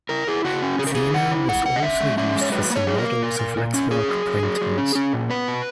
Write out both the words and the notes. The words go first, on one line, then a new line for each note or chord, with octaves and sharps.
Xinu was also used for some models of Lexmark printers.
E4 A#4
E4 G#4
C#3 F#4
C#4
C#3 G#4
A#4
E4 G#4
C#3 F#5
E4
G#3 F#5
C#3 F#5
D#5
C#4 E5
G#3
C#4 E5
G#3
C#5
F#3 B4
A#3
C#5
F#3 G#4
A#4
A#3
A#2
A#2
A#2
C#4
C#4 G#4
F#3
F#3
F#3
F#3
C#4
C#4
A#2
B3 B4
B2